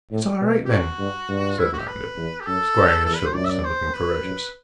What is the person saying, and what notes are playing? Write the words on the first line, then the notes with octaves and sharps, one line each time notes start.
"It's all right, then," said Langdon, squaring his shoulders, and looking ferocious.
A2
B2
G4
F#4
G2
G2
E4
F#4
G4
B4
E2
G4
F#2 A4
E2 A4
B4
C5
F#2 D5
E5
D5
C5
B4
F#2